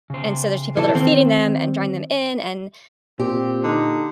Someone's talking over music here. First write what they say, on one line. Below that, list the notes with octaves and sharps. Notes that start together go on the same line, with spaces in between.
and so, there's people that are feeding them and drawing them in, and,
C#3 C5
E3 A4 A5
D#3 C4
A#2 C4 G4
D3 D#4